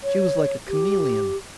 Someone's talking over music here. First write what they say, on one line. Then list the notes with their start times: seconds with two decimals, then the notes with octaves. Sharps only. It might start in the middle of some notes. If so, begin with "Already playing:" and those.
She was like a chameleon.
0.04 C#5
0.68 G4